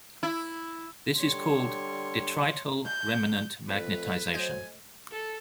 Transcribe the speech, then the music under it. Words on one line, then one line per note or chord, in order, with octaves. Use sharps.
This is called "detrital remanent magnetization".
E4
D3 G3 C#5 C6
G6
F2 A3 B4
F#3 C5 D#5 G#5 G6
A4